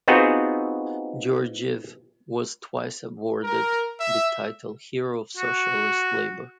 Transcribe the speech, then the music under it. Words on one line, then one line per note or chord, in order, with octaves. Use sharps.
Georgiev was twice awarded the title Hero of Socialist Labour.
B3 C4 D#4 F4 F#4 G#4
A#4
E5
F#4